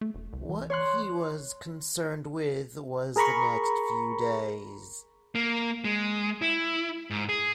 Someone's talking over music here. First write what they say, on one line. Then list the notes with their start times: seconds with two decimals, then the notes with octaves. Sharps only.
What he was concerned with was the next few days.
0.01 A3
0.14 E1
0.33 C2
0.49 E3
0.70 C#5 C6 F#6
3.16 G#4 A#4 A#5 B5 C#6
5.35 A#3
5.85 G#3
6.42 E4
7.10 G#2
7.29 G#4